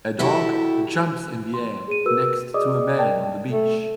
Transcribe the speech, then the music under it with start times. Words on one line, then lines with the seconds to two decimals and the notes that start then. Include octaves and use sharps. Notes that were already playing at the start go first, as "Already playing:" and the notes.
A dog jumps in the air next to a man on the beach.
0.19 E4 F#4 G4 A4
1.54 C6
1.88 G#4 D#7
2.05 F#4 A#4 B4 E6
2.54 G#4 D5 D#5 D6 D#6
2.99 A#4 D5 G5 A5
3.51 A3